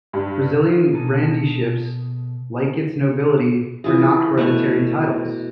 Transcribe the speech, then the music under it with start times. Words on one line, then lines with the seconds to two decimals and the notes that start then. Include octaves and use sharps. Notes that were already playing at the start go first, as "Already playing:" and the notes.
Brazilian grandeeships, like its nobility, were not hereditary titles.
0.13 G2
0.93 B2 G#4 A4 A#5
3.84 E3 F4 G#4
4.38 B2 A3 F#5 C#6